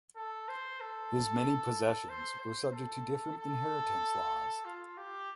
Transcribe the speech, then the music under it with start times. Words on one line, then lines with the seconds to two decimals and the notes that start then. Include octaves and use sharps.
His many possessions were subject to different inheritance laws.
0.16 A4
0.48 C5
0.81 A4
2.09 C5
2.41 C5
2.73 A4
3.37 A4
4.65 F4
4.97 G4